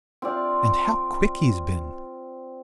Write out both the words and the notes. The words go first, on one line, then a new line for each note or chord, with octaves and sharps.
And how quick he's been!
C4 F4 D5